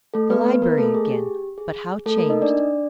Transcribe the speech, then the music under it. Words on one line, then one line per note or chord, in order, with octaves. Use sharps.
The library again! but how changed!
A3 A4
B3 B4
B3 B4
A#3 A#4
A3 A4
G#4
G4
G#4
A3 A4
A#3 A#4
D#4 D#5
D4 D5